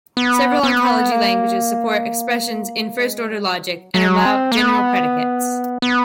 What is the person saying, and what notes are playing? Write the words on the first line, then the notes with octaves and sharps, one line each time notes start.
Several ontology languages support expressions in first-order logic and allow general predicates.
B3
B3
A#3
G#3
G3
F#3
F#3
C4
A#3
B3
B3